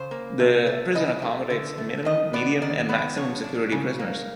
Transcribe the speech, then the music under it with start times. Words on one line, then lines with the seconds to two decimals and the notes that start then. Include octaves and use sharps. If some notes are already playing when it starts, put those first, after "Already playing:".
The prison accommodates minimum-, medium- and maximum-security prisoners.
Already playing: C#3 C5
0.11 A#3
0.40 C3
0.67 A3
0.95 C#3 D#5
1.22 A3
1.50 D3
1.78 A3
2.05 D#3 D#5
2.33 B3 D5
2.62 D#3 D5
2.89 B3 D5
3.17 F3 C#5
3.44 D4
3.72 C#3
3.99 A#3